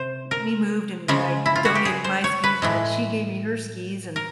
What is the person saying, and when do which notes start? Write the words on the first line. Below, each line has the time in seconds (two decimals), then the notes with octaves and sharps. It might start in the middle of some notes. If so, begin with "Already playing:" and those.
we moved, and I donated my skis, and then she gave me her skis, and
Already playing: C3 C5
0.31 A#4
1.08 C#3 F3 G#3
1.46 E4
1.56 F4
1.65 F#4
1.75 G4
1.85 G#4
2.04 C5
2.24 C#5
2.44 B4
2.62 A2 E3 G#3
4.16 A#4